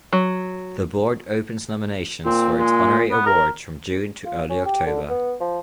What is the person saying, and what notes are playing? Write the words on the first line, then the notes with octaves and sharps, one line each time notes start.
The Board opens nominations for its honorary awards from June to early October.
F#3
A#2 C4
G#3
B3
A#4
F4
C#4
G4
D3
B3
F3